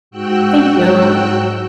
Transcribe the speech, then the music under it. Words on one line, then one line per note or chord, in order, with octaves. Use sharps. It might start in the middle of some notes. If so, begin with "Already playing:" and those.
Thank you.
G#2 F#4 G5 E6 F#6